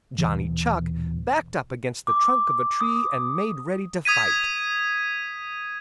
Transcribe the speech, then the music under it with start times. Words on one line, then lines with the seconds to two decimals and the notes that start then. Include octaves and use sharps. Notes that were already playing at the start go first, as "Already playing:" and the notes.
Johnny Chuck backed up against the trunk of a tree and made ready to fight.
0.18 D#1 B1 B2 E3
2.07 D6
2.81 D#6
4.05 D#6 G#6 B6 D#7